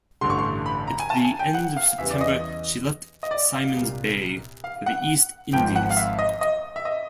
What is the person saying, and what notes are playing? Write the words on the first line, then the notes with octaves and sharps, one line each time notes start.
At the end of September she left Simon's Bay for the East Indies.
A1 G2 D3 C6
C#6
C6
B5
A#5
G#5
A5
G#5
G5
F#5
F5
E2 C#3 E3 G3 E5
D5
D#5
D#5
D5
F5
C2 A#2 G3
F5
F#5
G#1 G#2 F3 G5
F#5
F5
E5
D#5
D#5
E5
D#5